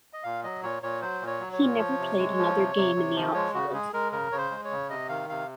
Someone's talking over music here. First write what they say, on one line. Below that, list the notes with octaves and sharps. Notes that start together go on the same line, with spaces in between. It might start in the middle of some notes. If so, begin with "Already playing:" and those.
He never played another game in the outfield.
D#5
A#2 F5
F#3 D#5
A#2 C#5
A#2 C#5
F#3 C5
A#2
C#5
F#3
C#5
A#2
F3
C3
G#3
F3
C3
C3
C3
F3
G#3 C#5
C#3 F#4
G#3 G#4
G#3 A#4
C#3 A#4
C#3 C#5
C5
G#3
C#5
C#3
C3 D#5
D#3 F5
C3 F5